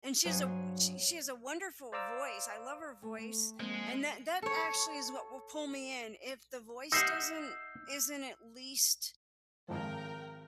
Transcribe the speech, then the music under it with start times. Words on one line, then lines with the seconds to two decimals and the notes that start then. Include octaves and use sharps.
and she has a w she she has a wonderful voice, I love her voice, and that that actually is what will pull me in. If the voice doesn't isn't at least
0.25 G2 F#3 G#4 C5 C#5 F5
1.92 C5 D5 F5 A#5 D6 E6
3.02 A3 G#5
3.18 A3
3.60 F3 G#3 A#3 C4
4.42 A4 C#5
6.92 D#4 E5 F#5 E6 G6 C7
9.68 G#1 F3 A#4 G5